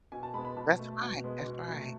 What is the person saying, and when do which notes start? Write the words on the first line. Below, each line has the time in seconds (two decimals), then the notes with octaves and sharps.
That's right, that's right.
0.12 B2 G#5
0.23 A5
0.34 G#3 B5
0.38 B3
0.45 B5
0.57 B2 A5
0.79 A3
1.01 B2
1.24 G#3 B3
1.46 B2
1.68 F#3 A3